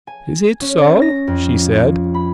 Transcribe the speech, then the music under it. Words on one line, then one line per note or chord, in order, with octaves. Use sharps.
"Is it so?" she said.
G#5
C#4
A#6
F2
B5